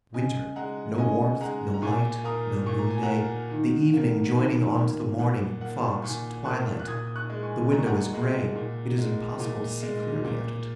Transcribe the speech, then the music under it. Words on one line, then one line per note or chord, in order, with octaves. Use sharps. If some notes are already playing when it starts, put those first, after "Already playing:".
Winter: no warmth, no light, no noonday, the evening joining on to the morning, fogs, twilight; the window is gray; it is impossible to see clearly at it.
C#3 D#5 G#5
G#3 F#5 A#5
C#3 D#5 G#5
G#3 F#5 A#5
A#5
A#2 G#5 C#6
A#3 A#5 D#6
A#2 C#6
A#5
G#5
F#5 A#5
A#3
D#3
A#3
D#3
A#3
A#2 F#5
A#3 F#5
A#2 G#5 C#6
A#3 C#6 F#6
F#6
A#2 D#6 G#6
D#6
C#6 F#6
G#3
G#5 C#6
A#2 A#5
C#6
F#5 A#5
G#3
A#2
G#3
A#2
G#3
A#2